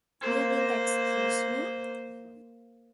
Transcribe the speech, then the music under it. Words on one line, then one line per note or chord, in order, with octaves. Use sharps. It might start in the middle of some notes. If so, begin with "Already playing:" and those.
You will excuse me.
A#3 C5